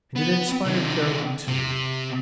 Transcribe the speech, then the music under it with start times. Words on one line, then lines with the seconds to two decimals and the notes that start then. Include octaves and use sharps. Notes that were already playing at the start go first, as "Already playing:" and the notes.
And it inspired Carolyn too.
0.16 B3
0.65 C3 D#3
1.48 C3